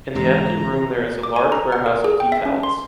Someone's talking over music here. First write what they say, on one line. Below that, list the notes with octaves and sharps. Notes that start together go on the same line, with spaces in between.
In the empty room there is a large warehouse of tea towels.
E1 G#2 D3 E3 G#3 A#5
D6
G#5
A#5
F#5
A#4
G#4
G5
E5
C#4
C6